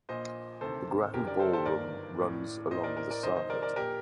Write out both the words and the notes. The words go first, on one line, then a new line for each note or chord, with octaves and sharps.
The grand ballroom runs along the side.
A#1 A#2 C5 D#5
D2 C3 D#3 A4 C5
F#1 F#2 D3 G4 A#4
A#4 D5
A4 C5
A4 C5
G1 G2 D#3 A#4 D5
A1 A2
A1 A2 C5 D#5
A#4 D5
A#4 D5
A#4 D5
F#1 F#2 D#3 C5 D#5
C5 D#5
A#4 D5
A#4 D5
A#1 A#2 G4 A#4